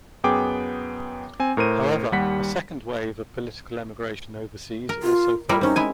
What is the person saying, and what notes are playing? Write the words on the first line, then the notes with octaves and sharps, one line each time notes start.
However, a second wave of political emigration overseas also followed.
F#2 B3 G#4 G5 D6
C4 G#5
A2 A#4 C5 D#7
D#2 G3 F#5 B6
A#4
F4
G3 E4 F4 A#4
C4 C#4 D#4
G#3 E4 G#5